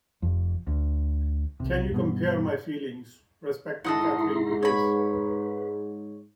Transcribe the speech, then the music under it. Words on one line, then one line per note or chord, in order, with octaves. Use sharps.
Can you compare my feelings respecting Catherine to his?
F1 F2
D2
B1 C3
G2 B2
G#2 E4 A4 D#5 F#5 A#5 C6
B4 C#5 B5